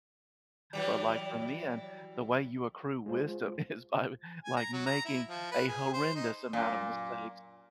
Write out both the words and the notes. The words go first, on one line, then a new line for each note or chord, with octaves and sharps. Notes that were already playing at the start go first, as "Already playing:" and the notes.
but, like, for men, the way you accrue wisdom is by, like, making a horrendous amount of mistakes,
E3 F#3 G3
G#3 F4 C5
G#5
A#5
F#3
A#5
E4
F3
B4
G#4
C5
D#4
F#2 A#2